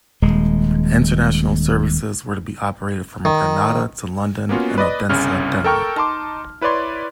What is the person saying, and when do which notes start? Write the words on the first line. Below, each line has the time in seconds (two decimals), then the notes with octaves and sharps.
International services were to be operated from Granada to London and Odense, Denmark.
0.22 D#1 G#3
3.25 D#3
4.49 A#3 B3 C#4 F4 F#4
4.78 B4 D5 D#5
5.09 G1 C2 C#3 C#4 F6
5.64 A4 A#4 G5 C#6 F6
5.96 D#4 A5 C6 D6
6.61 E4 B4 C#5 D5 C6